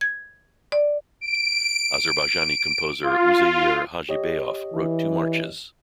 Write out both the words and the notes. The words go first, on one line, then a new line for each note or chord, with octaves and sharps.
Azerbaijani composer Uzeyir Hajibeyov wrote two marches.
G#6
D5
D7
F4
G4 C#5 D#5
E3